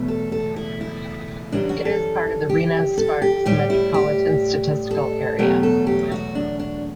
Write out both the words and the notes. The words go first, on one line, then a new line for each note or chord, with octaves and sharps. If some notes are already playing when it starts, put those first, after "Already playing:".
It is part of the Reno-Sparks Metropolitan Statistical Area.
Already playing: E2 B2 F#3 A3
A4
A4
E4
E4
F#2 E3 G3 D4
F#4
A4
G4
A4
G4
A2 G3 G4
E4
G4
A4
E2 B2 F#3 A3 G4
A4
G4
F#4
D4
D4